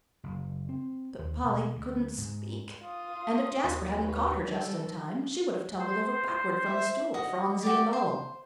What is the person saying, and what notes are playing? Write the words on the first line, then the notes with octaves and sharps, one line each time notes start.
But Polly couldn't speak; and if Jasper hadn't caught her just in time, she would have tumbled over backward from the stool, Phronsie and all!
F#1
C4
D#2
B2
D2
G#2
F4 D#6
D#2
B4 C#5
G3 A4
C5
E5
F#4 D#5
F#4 G4 D5
C5